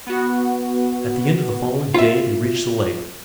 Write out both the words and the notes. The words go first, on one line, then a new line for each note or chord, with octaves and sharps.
At the end of the following day they reached the lake.
B3 F#4
F4 E5